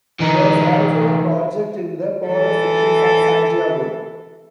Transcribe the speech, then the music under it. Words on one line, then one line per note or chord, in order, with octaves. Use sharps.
There is also a project in the poorer sections of Santiago.
E3 D#4
E3 A4